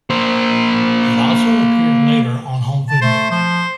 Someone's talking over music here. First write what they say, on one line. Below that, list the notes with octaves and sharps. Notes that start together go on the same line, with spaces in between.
It also appeared later on home video.
A#3 C5
A5
A3 C5
F3 C5